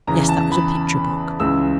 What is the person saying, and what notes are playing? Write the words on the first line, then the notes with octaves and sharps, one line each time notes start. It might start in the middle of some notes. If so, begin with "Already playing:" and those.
Yes, that was a picture book!
E2 C#3 E3 A#5
A5
B5
C#2 C#3 E3 E6